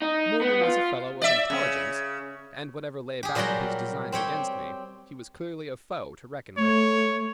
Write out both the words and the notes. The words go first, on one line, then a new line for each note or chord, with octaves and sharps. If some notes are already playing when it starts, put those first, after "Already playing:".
Morgan was a fellow of intelligence and, whatever lay back of his designs against me, he was clearly a foe to reckon with.
D#4
B3
F4
D5 E5
C#3
G4 G#4
A#2 F#3 G3 F#4 A#4 G5
C4 G4 C#5 G5
A3 C#5